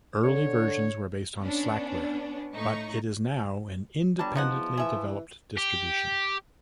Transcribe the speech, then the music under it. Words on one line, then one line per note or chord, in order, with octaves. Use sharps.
Early versions were based on Slackware, but it is now an independently developed distribution.
D3 C#5
B3 C#4 D4
A2 D#4 C#6
G1 F#3 G3 A5
B2 F3 D#4 F#5
E2
E3 G#4 E5
G4